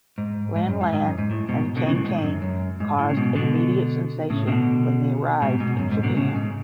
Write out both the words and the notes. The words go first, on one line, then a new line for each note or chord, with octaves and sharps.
Lan Lan and Kang Kang caused an immediate sensation when they arrived in Japan.
G#2
G#2
F#2
G#2
G#2
F#2
G#2
A2
G#2 B2
B2 D3
C#3 E3
A2
G#2
F#2
F#2
G#2
A2
C#3
G#2 B2
B2 D3
A2 C#3
B2 D3
G#2 B2
G#2 B2
F#2
G#2
B2 D3
A2 C#3
G#2